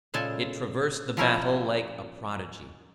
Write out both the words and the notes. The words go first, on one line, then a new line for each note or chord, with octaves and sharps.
It traversed the battle like a prodigy.
A#2 C#3 G#3 A4 G#5 A5
F3 C#4 E4 A#4 C#5 G#5